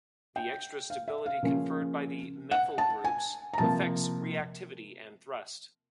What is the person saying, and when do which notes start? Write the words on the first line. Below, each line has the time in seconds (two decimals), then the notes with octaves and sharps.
The extra stability conferred by the methyl groups affects reactivity and thrust.
0.36 G5
0.90 F5
1.08 E5
1.26 F5
1.43 C#3 F3 A#3 C#4
2.51 F#5
2.78 A5
3.04 G#5
3.54 A#5
3.58 C3 F3 A#3 A5